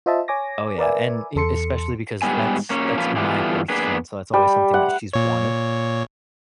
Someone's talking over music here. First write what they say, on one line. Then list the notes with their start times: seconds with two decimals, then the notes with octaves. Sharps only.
Oh, yeah. And y especially because that's that's my birthstone, so that's always something that she's wanted.
0.06 F4 C5 D#5 E5 A5
0.28 C#5 G#5 D6 A#6
0.78 A#4 B4 D5 E5 G#5
1.36 E2 A4 C6 C#7
2.22 G#2 G3 B3 G#5
2.70 A#3 C#4
2.98 F3 A#3 C#4 F4 B4
3.16 D3 E3 G3 B3 D4 F4
3.70 A#3 B3 D4 G#4 B4
4.34 G3
4.74 F#5
5.13 A#2 C#5